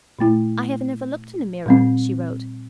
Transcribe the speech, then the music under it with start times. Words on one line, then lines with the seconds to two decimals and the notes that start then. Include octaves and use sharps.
"I have never looked in a mirror," she wrote.
0.19 A#2 A3 E4
1.66 A#2 G3 C4